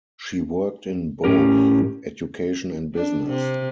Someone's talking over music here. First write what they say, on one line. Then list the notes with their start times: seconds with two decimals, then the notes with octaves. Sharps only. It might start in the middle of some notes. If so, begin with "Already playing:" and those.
She worked in both education and business.
1.24 A2 C#4 G4 A#4
2.95 D4
3.28 C3